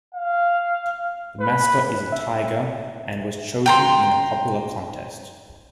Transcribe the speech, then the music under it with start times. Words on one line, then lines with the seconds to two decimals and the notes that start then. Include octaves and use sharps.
The mascot is a tiger, and was chosen in a popular contest.
0.15 F5
1.41 B4
2.12 E5
3.66 G5 A#5 C6